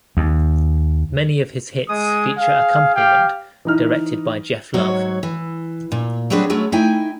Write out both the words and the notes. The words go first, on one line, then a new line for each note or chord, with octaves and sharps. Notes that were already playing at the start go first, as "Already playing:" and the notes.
Many of his hits feature accompaniment directed by Geoff Love.
D#2
G#3 D#5 D#6
G#4 F5
G4 F5 G5
E3 D#4 F6
G#2 F#3 F#4 C#5
E3
A#2
F#3 G3 C4 D4 G#4 B4
F#3 G#3 A3 C#4
A3 D#4 E4 G5 G#5